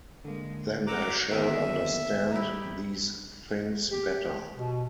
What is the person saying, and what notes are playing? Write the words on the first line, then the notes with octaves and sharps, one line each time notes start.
Then I shall understand these things better.
D3 G#3 A#3
F#4 A#5 D6 E6 F#6
D3 D#3 A#3 B3 G#4 A#4 E5
G3 D#4 E4 G4
G4
B2